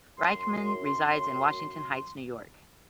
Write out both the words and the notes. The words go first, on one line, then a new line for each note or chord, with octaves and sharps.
Reichman resides in Washington Heights, New York.
F#2 C6